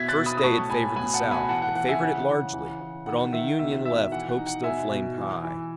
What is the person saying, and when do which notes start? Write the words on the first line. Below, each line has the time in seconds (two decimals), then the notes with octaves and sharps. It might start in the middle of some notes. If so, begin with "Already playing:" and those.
The first day had favored the South, had favored it largely, but on the Union left hope still flamed high.
Already playing: B2 E4 G#6 B6
0.09 F#6 A6
0.18 B2
0.26 B5 D#6
0.37 D#6
0.43 A2 A5 C#6
0.70 A2 G#5 B5
0.96 B2 G#5 B5
1.14 F#5 A5
1.23 B2
1.31 G#5 B5
1.49 E3 F#5 A5
1.62 F#5
1.74 E3 F#5
1.88 E5 G#5
2.01 C#3 F#5
2.28 C#3
2.54 E3
2.80 E3
3.06 D#3 F#5
3.32 D#3 E5
3.59 B2 E5
3.85 B2 E5
4.12 E3 F#5
4.29 F#5
4.38 D#4
4.46 F#5
4.64 B2 E5 G#5
4.91 B2
5.17 E3
5.43 E3